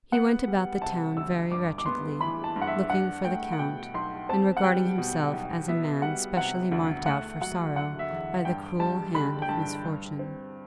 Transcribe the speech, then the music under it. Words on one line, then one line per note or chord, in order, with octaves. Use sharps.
He went about the town very wretchedly, looking for the Count, and regarding himself as a man specially marked out for sorrow by the cruel hand of misfortune.
B3 F#5
G3
C3 A5
D2 E6
G2 D6
D6
B3 C6
E3 B5
A5
G2
F#5
E5
D4 F#5
A3 G5
F#5
B2 G5
B1 C6
C4 A5
F#5
G3 G5
B2
B1
B3 E5
G3 F#5
C3 F#5
D2
A3 F#5
F#3 F#5
D3 F#5
E5
E2
G2 G5
G3 A5
D3 B5
G5
G2 A5
G2
C4